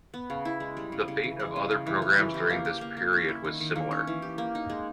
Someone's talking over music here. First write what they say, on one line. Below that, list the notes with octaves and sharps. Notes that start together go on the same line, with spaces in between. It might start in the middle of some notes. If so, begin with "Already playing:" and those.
The fate of other programs during this period was similar.
B3
C#3
E4
G#3
G3
C#3
C#3
E3
G#3
C#3
C#3
E3
C#4
E3
G4
A#3
G4
A#3
A#3
C#4
E4
D#3
D#3
A#3
C#4
E3
G4
A#3
D#4
G#3